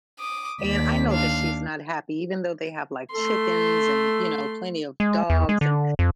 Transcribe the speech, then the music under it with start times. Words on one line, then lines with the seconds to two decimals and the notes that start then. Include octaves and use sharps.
and I know that she's not happy even though they have, like, chickens, and, you know, plenty of dogs, and
0.19 D6 D#6
0.62 D#2 D5 B6
1.09 D4 F5
3.13 A3 A4 C6
5.00 G#3
5.30 E2
5.49 G#3
5.61 D3
5.99 F2